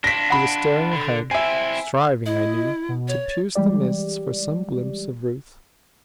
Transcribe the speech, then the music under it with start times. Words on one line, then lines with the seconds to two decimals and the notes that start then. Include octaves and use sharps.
He was staring ahead, striving, I knew, to pierce the mists for some glimpse of Ruth.
0.04 D4 F4 A#6 B6
0.30 F#5 B5
0.93 D3
1.31 C4 E4 E5 G#5
2.26 E4 D#5
2.89 B2
3.08 C#5
3.26 A6
3.55 E3 G3 G#3 G4 D5